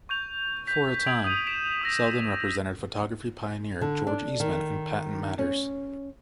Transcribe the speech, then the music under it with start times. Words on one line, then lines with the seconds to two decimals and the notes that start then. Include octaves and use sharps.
For a time, Selden represented photography pioneer George Eastman in patent matters.
0.09 C#6 G6 F7
0.67 G6 B6
1.07 G#6 D7 F7 F#7
1.24 D#6 G6 D#7
1.47 B6 D7 E7
1.81 D#6 E6 A#6
3.81 D3
4.07 D4
4.40 D#3
5.39 C#4